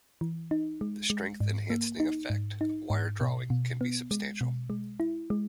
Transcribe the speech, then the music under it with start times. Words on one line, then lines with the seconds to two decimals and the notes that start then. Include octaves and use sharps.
The strength-enhancing effect of wire drawing can be substantial.
0.21 E3
0.51 D#4
0.81 G#3
1.10 G#3
1.40 G#2
1.70 A#3
2.00 D#4
2.30 G#2
2.61 D#4
2.90 G#2
3.21 B2
3.50 B2
3.81 B3
4.11 G#3
4.41 B2
4.70 G#3
5.00 E4
5.30 G#3